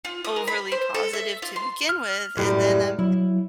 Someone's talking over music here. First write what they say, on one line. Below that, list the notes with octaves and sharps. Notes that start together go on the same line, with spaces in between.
overly positive to begin with, and then I'm
F4
D#6
A#4
B5
C5
A4
E5
F4
C6
F6
F#2 A2 G3
F#3 E4